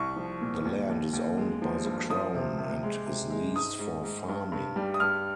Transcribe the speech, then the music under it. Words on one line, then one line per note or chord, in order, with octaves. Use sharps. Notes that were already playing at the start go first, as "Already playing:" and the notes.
The land is owned by the Crown and is leased for farming.
Already playing: C2 C#6
F3
A#2
D#2
D#2
D#2
G#3
F3
G2
F3 D#6
C3
C3
G#3
C3
G#3
G#2 D#6
G#2
G#2
G2
G2
G3
D#6
G2 F6